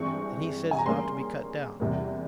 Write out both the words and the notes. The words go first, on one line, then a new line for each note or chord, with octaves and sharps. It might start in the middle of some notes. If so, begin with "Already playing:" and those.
And he says it ought to be cut down.
Already playing: G2 E3 G#3 C4 C#6
G#5
A#5
C#3 G3 A#3 C#4 C6
E2 C3 G3 A#3